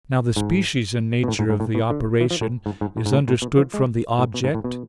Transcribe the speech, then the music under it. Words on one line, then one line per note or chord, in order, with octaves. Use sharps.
Now the species and nature of the operation is understood from the object.
G#2
B2
A2
G#2
G#2
A2
B2
D3
E3
F3
A2
G#2
G#2
A2
G#2
A2
A2
B2
F3
G#3
A2
B2
G#2
A2
B2